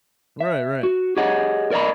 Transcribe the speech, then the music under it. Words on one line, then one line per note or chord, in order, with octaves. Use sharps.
Right, right.
E5
F#4
G4 G#4 C#5 D#5 F#5
A#4 D5 D#5 A#5 B5